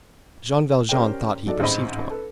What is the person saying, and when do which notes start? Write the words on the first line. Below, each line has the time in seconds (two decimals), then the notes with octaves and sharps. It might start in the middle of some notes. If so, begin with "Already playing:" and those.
Jean Valjean thought he perceived one.
0.89 C#4 G4 A#4 C5 D5 G5
1.46 F#3 D#4 F#4 A4 D5
1.60 A1 G#2 C4 D#4 D#5 B5
2.10 A4 B4